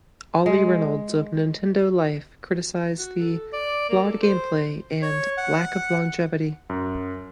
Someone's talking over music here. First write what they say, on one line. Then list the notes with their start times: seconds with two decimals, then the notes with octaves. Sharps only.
Ollie Reynolds of "Nintendo Life" criticized the "flawed gameplay" and "lack of longevity".
0.46 G#3
2.98 F#4
3.20 A4
3.53 D5
3.90 A#3
4.03 A4
4.22 C5
5.02 C#5
5.38 F#5
6.69 F#2